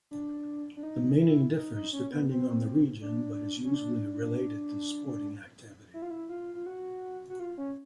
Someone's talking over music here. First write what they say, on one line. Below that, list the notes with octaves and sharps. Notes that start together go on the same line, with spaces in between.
The meaning differs depending on the region, but is usually related to sporting activity.
D4
D4
D#4
E4
D#4
D#4
C#4
B3
C4
D4
C#4
D4
E4
F4
E4
F4
F4
F#4
F#4
F4
C#4